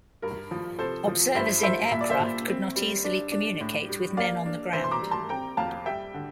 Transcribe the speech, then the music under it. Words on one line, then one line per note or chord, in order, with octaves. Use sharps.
Observers in aircraft could not easily communicate with men on the ground.
G2 A#4
F3
C3 A4 C5
F3
G2 C5 E5
G2 C5 E5
A#2 E5
D5
C5 E5
A#2
C4
G3
D4
D4
A2
G3
A#3 D5 F5
D4
E3 C5 E5
C6
A#5 D6
G3
A5 C6
C4 G5 A#5
F2 F5 A5
G3 E5 G5
D3